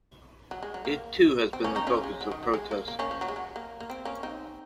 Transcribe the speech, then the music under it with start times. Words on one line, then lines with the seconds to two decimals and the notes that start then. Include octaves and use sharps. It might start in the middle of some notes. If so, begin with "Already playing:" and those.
It, too, has been the focus of protests.
0.51 F#3
0.63 G#3
0.74 F#3
0.85 A#3
1.53 C4
1.64 A#3 C#4
1.75 C4 D#4
1.87 C#4 F4
2.04 G#3
2.21 F#3
2.31 D#3
2.43 F#3
2.54 G#3
2.71 A#3
2.88 A#3
2.99 A#3 C#4
3.11 F3
3.21 F#3
3.28 G#3
3.36 F#3
3.56 A#3
3.80 A#3
3.90 C4
4.05 A#3 C#4
4.23 C4 D#4